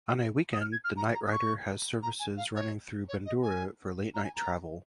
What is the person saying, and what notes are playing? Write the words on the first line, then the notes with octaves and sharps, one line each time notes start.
On a weekend the Nightrider has services running through Bundoora for late night travel.
D#6
F6
G#6
F6
A#5
A#5
D#6
C#6
A#5
G#5
F5
C#5
C#5
D#5
G#5
A#5
G#5
A#5